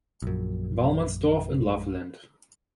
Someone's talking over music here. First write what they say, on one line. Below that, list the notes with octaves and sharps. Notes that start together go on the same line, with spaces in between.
Wassmansdorff and Loveland.
A#1 F#2